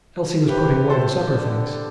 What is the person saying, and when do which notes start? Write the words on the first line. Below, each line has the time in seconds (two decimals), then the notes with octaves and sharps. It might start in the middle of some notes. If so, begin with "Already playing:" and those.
Elsie was putting away the supper-things.
0.48 C3 G4 B4
0.89 A4 C5
1.31 D3